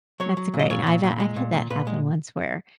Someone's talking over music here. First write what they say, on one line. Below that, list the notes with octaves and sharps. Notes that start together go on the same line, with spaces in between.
That's great. I've, uh, I've had that happen once where,
F#3 C#5
F#3
A#2
D#5
A#2 C#5
A#2
A#2
G#3
A#2
A#2
A#2 B4
G#3